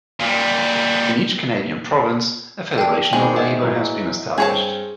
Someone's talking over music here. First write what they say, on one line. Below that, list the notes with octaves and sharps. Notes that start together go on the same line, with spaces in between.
In each Canadian province a federation of labour has been established.
A#2 G3
D5 G5 A5
D#3 G#3 C4 D4
D#5 E5 F#5
E3 F#3
G2 C4 G#4 C#5 A5